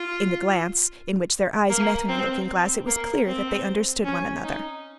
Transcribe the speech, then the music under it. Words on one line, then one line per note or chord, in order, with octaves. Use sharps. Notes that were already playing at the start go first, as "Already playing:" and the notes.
In the glance, in which their eyes met in the looking-glass, it was clear that they understood one another.
Already playing: F4
A#3
C4
C4
A#3
C4
C#4
D#4